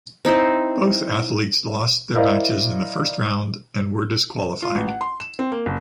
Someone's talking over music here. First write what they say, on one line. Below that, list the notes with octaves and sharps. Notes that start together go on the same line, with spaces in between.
Both athletes lost their matches in the first round and were disqualified.
C4 D#4 E4 C5
E4 A#4 C5 D5 D#5 F5
F4
A1
F#5
C6
E7
C4
A#3
F#1